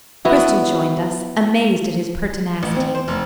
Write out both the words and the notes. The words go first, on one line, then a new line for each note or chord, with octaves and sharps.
Cristel joined us, amazed at his pertinacity.
B3 E4 F#4
A1
C4
C5
F1